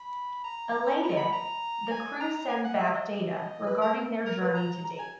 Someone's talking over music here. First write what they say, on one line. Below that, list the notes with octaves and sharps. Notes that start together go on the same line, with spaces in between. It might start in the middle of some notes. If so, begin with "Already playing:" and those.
Elated, the crew send back data regarding their journey to date.
Already playing: B5
A#5
B5
A#5
B5
A#5
G#5
A#5
A#5
G#5
F#5
E5
D#5
B4
A#4
A#4
B4
A#5
A#5
G#5